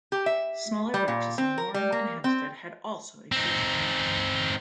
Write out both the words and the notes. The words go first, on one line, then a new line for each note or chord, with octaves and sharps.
Smaller branches in Laren and Heemstede had also existed.
G4
E5
G3
A#2
C4
A#4
G3
A#3
C4
C4 D#4